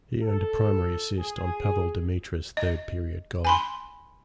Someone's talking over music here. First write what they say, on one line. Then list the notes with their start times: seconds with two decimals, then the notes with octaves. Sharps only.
He earned a primary assist on Pavol Demitra's third period goal.
0.21 A4
1.18 G#4
2.57 D#5
3.45 G#5 B5 C6